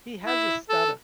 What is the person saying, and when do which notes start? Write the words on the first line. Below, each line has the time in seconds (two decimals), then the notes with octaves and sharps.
He has a stutter.
0.26 E4
0.69 A4